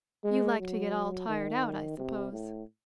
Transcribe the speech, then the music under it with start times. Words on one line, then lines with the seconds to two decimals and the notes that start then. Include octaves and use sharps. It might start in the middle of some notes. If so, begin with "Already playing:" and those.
"You like to get all tired out, I suppose."
0.24 G#3
0.59 F#3
1.28 D#3
1.97 C3
2.32 A2